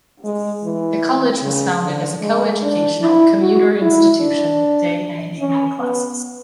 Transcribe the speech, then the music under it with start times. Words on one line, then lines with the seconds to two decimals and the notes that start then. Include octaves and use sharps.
The college was founded as a coeducational, commuter institution with day and evening classes.
0.25 G#3
0.64 E3
1.43 C#3
1.83 D3
2.22 G#3
2.63 D4
3.02 E4
3.41 F#4
3.81 E4
4.21 D4
5.40 C#4
5.79 B3